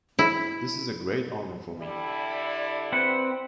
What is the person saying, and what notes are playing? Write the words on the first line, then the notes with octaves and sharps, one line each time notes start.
This is a great honour for me.
E4
D3 G3 E4
C4 B4 F#5